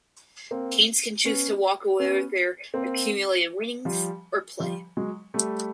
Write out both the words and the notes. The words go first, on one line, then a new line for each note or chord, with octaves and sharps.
Teams can choose to walk away with their accumulated winnings or play.
A#3 C4
B3 C#4
B3 C#4
A#3 C4
F3 G3
F3 G3
F#3 G#3
G3 A3